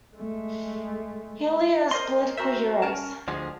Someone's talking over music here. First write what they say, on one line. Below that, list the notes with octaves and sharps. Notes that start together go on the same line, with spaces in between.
Healy as political heroes.
G#3 A3
A#4 C5 D#5 C6
F#4 A#4 C5 E5
C#4 A#4 A5
D2 D3 F3 G#3